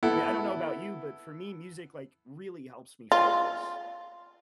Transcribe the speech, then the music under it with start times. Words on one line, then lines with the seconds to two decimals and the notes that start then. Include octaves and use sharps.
I mean, I don't know about you, but for me, music, like, really helps me focus.
0.03 B3 E4 A4
3.12 F4